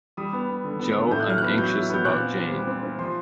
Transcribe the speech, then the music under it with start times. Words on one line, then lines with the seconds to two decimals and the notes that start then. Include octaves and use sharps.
Jo, I'm anxious about Jane.
0.17 G3 D#6
0.33 B3
0.49 B3
0.64 D3
0.80 B3
0.96 D3
1.11 A2 G6
1.20 F#6
1.26 F#3 F6
1.38 F#6
1.42 B3
1.58 F#3 G6
1.74 E4
1.89 B3 G6
2.05 A#2 F#6
2.20 C4
2.37 C4
2.51 G3
2.67 C4
2.83 C4
2.98 F3 C6